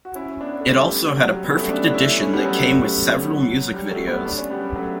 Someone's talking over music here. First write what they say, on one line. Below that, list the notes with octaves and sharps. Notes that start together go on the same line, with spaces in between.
It also had a "Perfect Edition" that came with several music videos.
F#4
C#4 E4
B3 D4
A3
G3
F#3
G3
G3 B3
A3 C#4
B3 D4
D4
C#4 E4
A3 C#4
G3 B3
F#3 A3
F#3
G3
F#3 A3
G3 B3
D4
C#4
G3 B3
F#3 A3